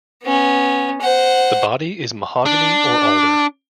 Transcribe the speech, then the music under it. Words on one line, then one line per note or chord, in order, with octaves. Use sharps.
The body is mahogany or alder.
B3 C#4
C5 F#5
D4